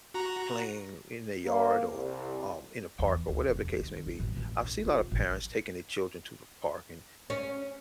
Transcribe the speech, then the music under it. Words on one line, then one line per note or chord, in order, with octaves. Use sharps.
playing in their yard or, um, in a park, or whatever the case may be. I've seen a lot of parents taking their children to the park and
F#4 A#5
A#3
C2
E2
D2
F1
E2
D#3
F2
A1
A1
A#1
F4
F1
A1
C#4